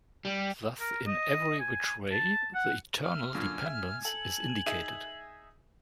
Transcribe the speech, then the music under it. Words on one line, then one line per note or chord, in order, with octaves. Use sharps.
Thus in every which way, the eternal dependence is indicated.
G3
A#4
D#5
G#5
A5
F#5
E5 F6
F#2 A#2 D3 G#5
E5
A4 F#7
D#4 G#4 E5